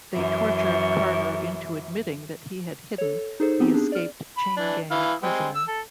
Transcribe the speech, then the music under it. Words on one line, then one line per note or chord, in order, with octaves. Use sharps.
They tortured Carter into admitting that he had hidden the escaped chain gang prisoner.
F#2 E3
A4 C#5
D#4 G#4 A4 C5
B3 C4 D#4 G4
D4 G#4
D5 F6
B5
E3 D4
E3 E4 F5
G3 G#3 C4
E6
A4